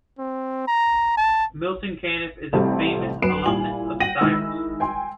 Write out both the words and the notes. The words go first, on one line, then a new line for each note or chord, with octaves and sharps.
Milton Caniff is a famous alumnus of Stivers.
C4
A#5
A5
A1 C3 G3 A3 C4 A5
F#2 B4 C7 D7 E7
A#2 G3 E4 G#5 F#7
F#5 G5 A#6 D#7 F#7
D#3 G#3 E4 E6
G5 G#5 C6